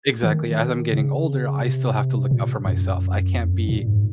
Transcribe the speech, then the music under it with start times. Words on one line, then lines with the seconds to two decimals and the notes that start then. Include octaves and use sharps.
exactly as I'm getting older, I still have to look out for myself, I can't be
0.23 D#3
0.92 C#3
1.62 C3
2.31 A#2
2.65 F#2
3.34 F2
3.52 F#2
3.69 A#2
3.86 G#2